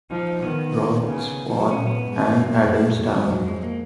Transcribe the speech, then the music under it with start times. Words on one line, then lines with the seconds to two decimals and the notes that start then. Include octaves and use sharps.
Roath, Splott and Adamsdown.
0.11 F3 D#4
0.43 D#3 B3
1.07 C#3
1.49 F3
1.60 F#3
1.71 A#2 C#4
1.87 B3
2.03 G#2
2.35 F#2 A#3
2.67 F#2 G#3
2.99 F#2 F#3
3.31 F2 F#3
3.46 G#3
3.63 A#3